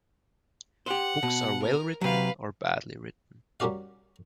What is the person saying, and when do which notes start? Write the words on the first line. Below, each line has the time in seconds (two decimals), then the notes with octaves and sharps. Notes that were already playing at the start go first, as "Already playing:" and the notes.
Books are well written, or badly written.
0.86 G4 C5 F#5
1.23 B2
1.62 A#4
2.01 C3 F#3 B4 F5
3.60 G3 A#3 C#4 F#4 D5 F5